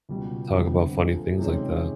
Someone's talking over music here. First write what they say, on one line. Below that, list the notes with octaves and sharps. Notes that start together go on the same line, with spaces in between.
talk about funny things like that.
C#2 B2 G3
F1 F2 D3 G3 B3
A#2 F3 A3
C3 D#3 G#3 C#4